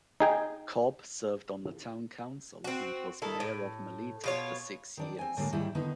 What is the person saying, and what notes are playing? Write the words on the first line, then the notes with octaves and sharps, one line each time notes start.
Cobb served on the town council and was mayor of Melita for six years.
D#4 G#4 G5
C4 F#4
D#3 E4 A4
A2
B2 F4 C#5
D#3 D4 D5
C4 G#5
A2 D3 G#3 A#3
G#2 D#3 G3 E4
D3 D#3 B3 D#4